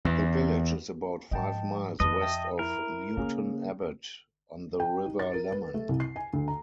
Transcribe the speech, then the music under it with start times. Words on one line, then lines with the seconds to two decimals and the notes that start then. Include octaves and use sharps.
The village is about five miles west of Newton Abbot, on the River Lemon.
0.05 E2
1.31 G#2 F3 D#5 G5 A5
2.00 F2 B4 D#5 A5
2.21 E5 G5 A5
2.59 E4 A#4
3.17 C#3 A#3 C#4 G#4
4.80 G5
5.06 D#4
5.19 A6
5.34 A#4
5.52 B4
5.74 A3
5.89 C2
6.00 C7
6.16 G#5
6.33 D2
6.48 A#5